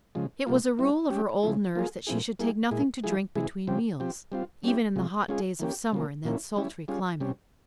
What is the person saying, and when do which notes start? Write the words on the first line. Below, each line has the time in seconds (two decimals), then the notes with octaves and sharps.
It was a rule of her old nurse that she should take nothing to drink between meals, even in the hot days of summer in that sultry climate.
0.15 C#3 F3 G#3
0.47 C3 G3 A#3 F4
0.79 G3 C4 E4
1.10 G3 C#4 G4
1.43 C#3 F3 G#3 E4
1.75 F3 A#3 F4 G#4
2.07 A#2 F3 C4 E4 G#4
2.39 G3 A#3 E4 G#4
2.71 A#2 G#3 E4 G#4
3.04 F3 G#3 E4 G#4
3.35 C3 E3 G#3 E4 G#4
3.67 C#3 F3 C4 G4
4.00 F3 C4 G4
4.32 G3 C4 F4
4.64 G3 C#4 E4 G4
4.96 C3 F3 G#3
5.28 G#3 C#4 F4 G#4
5.60 E3 A#3 C#4 G4
5.92 C#3 F3 A#3
6.25 A#2 F3 A#3 C#4 E4
6.56 G3 C#4 E4
6.88 G3 C#4 F4 G#4
7.20 C3 G3 C#4